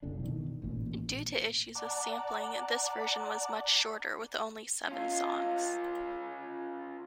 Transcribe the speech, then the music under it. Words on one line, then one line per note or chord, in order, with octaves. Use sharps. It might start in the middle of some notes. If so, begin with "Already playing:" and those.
Due to issues with sampling, this version was much shorter with only seven songs.
F#1 C2 D3 D4
B2 D#3
A1 A#2
D5 F#5 A5 A#5 D6 F#6
C#4 F4